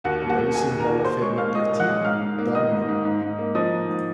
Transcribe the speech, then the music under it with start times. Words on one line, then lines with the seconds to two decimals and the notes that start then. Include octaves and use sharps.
Racing Hall of Fame inductee, Domino.
0.04 D#2 F#4 F#5
0.22 A#3
0.29 F#4 F#5
0.38 F#3
0.54 D#3 G#4 G#5
0.71 D#2
0.80 A#4 A#5
0.88 A#3
1.05 A#2 C5 C6
1.21 G#3 C#5 C#6
1.38 A#2 F5 F6
1.55 G#3 D#5 D#6
1.72 A#2
1.80 F#5 F#6
1.88 G#3
2.05 G#2 F5 F6
2.22 G#2
2.38 A#3
2.55 D#3 D#5 D#6
2.72 G#2
2.89 G#2
3.05 G#2
3.21 G#2
3.38 A#3
3.55 F3 D#5 D#6
3.72 G#2
3.88 G#2